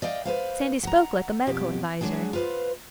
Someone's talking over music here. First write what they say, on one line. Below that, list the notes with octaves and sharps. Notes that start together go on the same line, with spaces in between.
Sandy spoke like a medical adviser.
D5 D#5 F5 G5
B4 C5 F5
F#5 A#5
F2 B2 G4
F#3 G#3 D4 F#4 G#4
F4 B4 C5